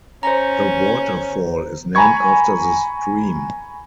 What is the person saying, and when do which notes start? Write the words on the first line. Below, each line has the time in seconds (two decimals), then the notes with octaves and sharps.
The waterfall is named after the stream.
0.23 C#4 C5 A#5
1.95 G#5 A#5 B5 C#6 G#6